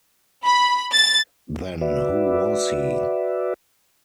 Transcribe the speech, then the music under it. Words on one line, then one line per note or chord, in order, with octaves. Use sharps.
Then who was he?
B5
A6
F#4 B4 D5 E5